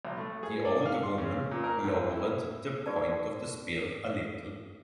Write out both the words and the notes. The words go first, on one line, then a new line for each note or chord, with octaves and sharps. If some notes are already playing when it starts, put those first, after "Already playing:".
The old woman lowered the point of the spear a little.
B1
A3
G#4
D5
F5
C6
C#3
A#2
A#4
F#2
E4
D#4 F#4 G#4 B4 D5 A5